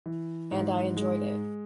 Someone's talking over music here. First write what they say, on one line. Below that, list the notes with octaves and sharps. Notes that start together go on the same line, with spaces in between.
And I enjoyed it.
E3
G#2
G#3